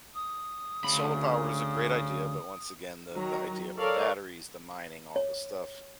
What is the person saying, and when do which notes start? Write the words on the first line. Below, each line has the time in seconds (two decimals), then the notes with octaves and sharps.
solar power is a great idea, but, once again, the the idea of the batteries, the mining, all the stuff,
0.15 D#6
0.84 D2 C#3 B5
3.14 D#3 F#3 A#5
3.78 A4 A#4 C#5 D5 F5
5.16 C#5